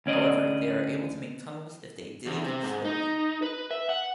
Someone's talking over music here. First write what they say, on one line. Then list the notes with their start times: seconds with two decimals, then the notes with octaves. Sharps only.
However, they are able to make tunnels if they dig slowly.
0.06 D2 C#4 D5 D#5
2.26 E2
2.44 C3
2.63 G#2
2.85 D#4
3.42 B4
3.71 E5
3.89 F#5